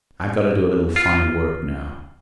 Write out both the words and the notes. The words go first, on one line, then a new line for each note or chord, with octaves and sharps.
I've got to do a little fine work now.
F4